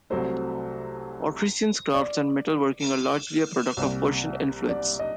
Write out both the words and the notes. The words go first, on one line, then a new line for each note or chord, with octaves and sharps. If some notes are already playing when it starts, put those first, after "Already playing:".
Odrysian crafts and metalworking are largely a product of Persian influence.
C2 C3 F#3 A3 C5
D5
C2 C3 G3 A#3
D5
D#5